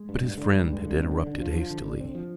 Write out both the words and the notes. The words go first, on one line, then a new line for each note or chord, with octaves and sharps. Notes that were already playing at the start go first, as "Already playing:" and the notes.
But his friend had interrupted hastily.
Already playing: G#3
G2
G2
D3
G2 G3
G2 G#3
D3
G2 C4
D3 D4
D3
F3
F3
D3
D3
C4
F3